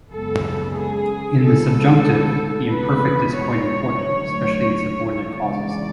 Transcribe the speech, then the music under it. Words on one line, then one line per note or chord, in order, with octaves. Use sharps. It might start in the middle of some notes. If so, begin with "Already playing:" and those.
In the subjunctive, the imperfect is quite important, especially in subordinate clauses.
F#2 C#3 G#3 B3 A4
G#4
D2 C#3 G#3 B3 A4
E2 B2 G#3 B3 B4
C#5
D2 D3 F#3 A3
E2 C#3 G#3 D5